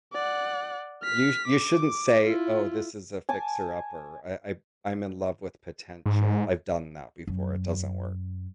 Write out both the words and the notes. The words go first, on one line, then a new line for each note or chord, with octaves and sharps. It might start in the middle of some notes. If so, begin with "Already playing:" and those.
You you shouldn't say, "Oh, this is a fixer-upper, I I I'm in love with potential." I've done that before. It doesn't work.
D5 F#5
F6 B6
D6
E4 F4
G#5 A5 D6
G#2
F#2